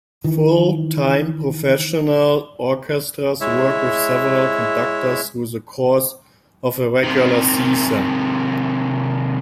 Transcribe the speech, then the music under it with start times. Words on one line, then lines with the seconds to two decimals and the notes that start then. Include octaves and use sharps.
Full-time professional orchestras work with several conductors through the course of a regular season.
0.24 D#3 E3
3.41 G#3 E4 C#5 E5
7.03 C3 D#3